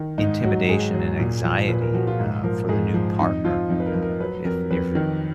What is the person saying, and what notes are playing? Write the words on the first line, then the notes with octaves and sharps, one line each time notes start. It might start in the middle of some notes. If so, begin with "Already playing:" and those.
intimidation and anxiety, uh, for the new partner, uh, if if you're
Already playing: D#3
G#2 D#4
F#3 F#4
G#2 G#4
F#3
A#2
F3
A#2 B4
A#4
F3 F#4
F4
G#2
F3 A#4
G#2 G#4
F3
F2 D#4
F3 F4
F2 D#4
B4
A#4
F3
A#4
F#3 B4
F2 A#4
F2 B4
D#3